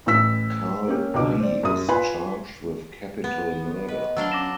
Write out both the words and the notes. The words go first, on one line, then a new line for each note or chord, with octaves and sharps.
Carl Lee is charged with capital murder.
A1 A2 E3 E4 E6 B6
A#3 C#4 G4
C#2 B2 D3 D6
C5 D5
F#2 D#6
F4 B4 G#5 B5 C6
B3
B4 D#5
F#3 D4 F5 E6 G7
C#4 D6 A#6 E7